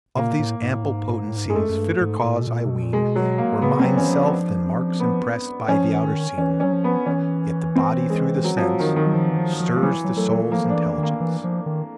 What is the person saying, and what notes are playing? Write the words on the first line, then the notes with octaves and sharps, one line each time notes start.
Of these ample potencies Fitter cause, I ween, Were Mind's self than marks impressed By the outer scene. Yet the body through the sense Stirs the soul's intelligence.
A#2 A#3
A2
G#2
A2
G#2
A2
G#2
G2 G#3
F#2 A3
F#2
G2
G#2
A2
B2
A#2
C3
B2
A#2
B2 G#3
F#3
A#3
C#3 B3
F#3 C4
E3 C#4
F3 D4
B3
F3 C#4
E3
D#3
E3 C#4
F#3 C#4
F3
B3
E3 C#4
C4
G#3
F#3
F3
F#3
D#3
D#3
F#3
F3
E3
F3
F3
F3
E3 F#3
F#3
F#3 A3
F3 A#3
F3
D4
E3
D#3
A#3
E3
F3
D#3